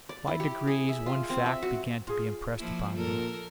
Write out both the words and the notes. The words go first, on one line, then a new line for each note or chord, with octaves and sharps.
By degrees one fact began to be impressed upon me.
D5
E4
G4
G#4
E5
F4
C4
E5
F#4
F4 G#4
F3 A#3 E4
A#2 A4 A#4